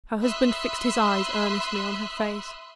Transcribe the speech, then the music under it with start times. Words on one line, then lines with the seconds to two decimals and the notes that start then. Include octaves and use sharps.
Her husband fixed his eyes earnestly on her face.
0.22 E5 B5 C6 D#6 E6 F#6